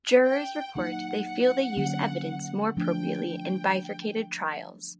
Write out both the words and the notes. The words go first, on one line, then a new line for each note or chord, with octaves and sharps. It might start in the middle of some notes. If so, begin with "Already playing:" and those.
Jurors report they feel they use evidence more appropriately in bifurcated trials.
G5
F#3 A#3 D#4 F#5
F#5
D3 F#3 A#3 C#4
F3 A3 D4 G5
G5